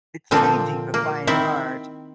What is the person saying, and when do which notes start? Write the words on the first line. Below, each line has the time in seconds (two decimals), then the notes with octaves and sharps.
it's changing, but by and large,
0.31 A#2 D3 F3 C4
0.94 A#3
1.27 D#3 C4 E4